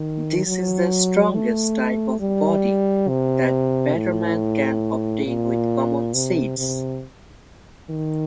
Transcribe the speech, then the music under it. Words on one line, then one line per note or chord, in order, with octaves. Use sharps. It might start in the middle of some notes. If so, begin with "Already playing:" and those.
This is the strongest type of body that Betterman can obtain with common seeds.
Already playing: D#3
F#3
A3
G3
C3
A2
A#2
C3
C3
D#3